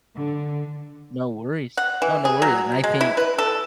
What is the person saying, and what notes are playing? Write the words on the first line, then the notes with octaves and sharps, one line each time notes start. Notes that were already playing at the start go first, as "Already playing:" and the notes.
no worries. Oh, no worries. And I think
D3
F#5
E3
G#4
F#3
G#3
E4
B4
A4